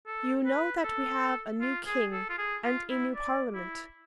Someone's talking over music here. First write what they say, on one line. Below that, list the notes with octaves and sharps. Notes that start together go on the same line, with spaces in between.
'You know that we have a new King and a new Parliament.
A4
B4
A4
F4
G#4
A4
F4
G#4
F4
E4
D5
E4